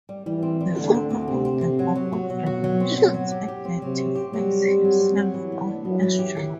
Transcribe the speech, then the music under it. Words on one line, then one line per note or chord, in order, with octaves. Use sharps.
The author of the Book of Revelation identifies himself only as "John".
G3
E3 G3
C4
G3
D2 D3
C4
D2
C3 C4
C4
C4
F#3
F#3
F#4
B2 F#3
F#4
F#3
C4
F#3
F#3
G4
G4
C4
C3 F#3
C4
G4
F#3 G3
C4
C4
F#3
C4
F#3
E3
B3
D4
F#3 B3
E3
G4
E3